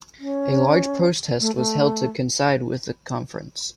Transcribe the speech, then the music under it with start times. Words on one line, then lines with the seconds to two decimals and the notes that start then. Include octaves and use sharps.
A large protest was held to coincide with the conference.
0.19 C#4
1.40 A3
1.56 A3